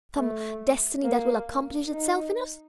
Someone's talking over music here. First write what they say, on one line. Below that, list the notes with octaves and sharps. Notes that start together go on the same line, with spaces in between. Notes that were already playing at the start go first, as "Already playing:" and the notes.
Some Destiny that will accomplish itself in us.
A3
A#3
D#4